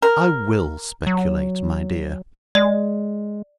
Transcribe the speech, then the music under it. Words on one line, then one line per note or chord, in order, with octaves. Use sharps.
I WILL speculate, my dear.'
A#4
F#3
G#3 D5